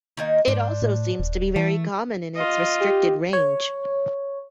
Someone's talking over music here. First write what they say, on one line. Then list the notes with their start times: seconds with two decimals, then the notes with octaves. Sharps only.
It also seems to be very common in its restricted range.
0.17 D#3 A#3 D#4
0.48 G#2 D4 C5
0.82 A2
1.20 D#1
1.56 E3 A3
2.36 F4 D#5
2.81 G4
3.33 C#5